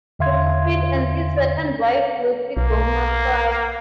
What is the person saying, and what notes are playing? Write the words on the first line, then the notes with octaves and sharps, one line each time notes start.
John Speed and his second wife Lucy Gilmer Fry.
E2 D3 E5 F5 C6 G#6
B1 A#3